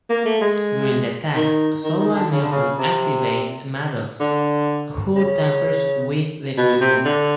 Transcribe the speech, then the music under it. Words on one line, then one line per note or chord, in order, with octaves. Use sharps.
During the attacks, Solow and Nilson activate Maddox, who tampers with the equipment.
A#3
A3
G#3
D#3
D#3
D#3
D3
C#3
D3
C#3
C3
D3
C#3
B2
C3
D3